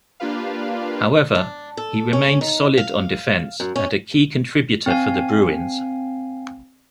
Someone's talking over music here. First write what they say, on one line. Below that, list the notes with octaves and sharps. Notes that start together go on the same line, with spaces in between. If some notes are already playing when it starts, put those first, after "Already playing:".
However, he remained solid on defense and a key contributor for the Bruins.
A#3 D4 F4 G4 B4 F5
D4
A4
C#4
D#4
F5
F#2
C#4
C4 F5 G#5